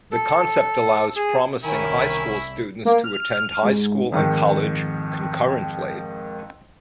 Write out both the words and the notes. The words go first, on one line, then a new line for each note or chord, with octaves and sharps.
The concept allows promising high school students to attend high school and college concurrently.
A4
G#4
C2 D#3 C#4 E4 G#5
A#3
F6
G#2
F2 G#2 D#3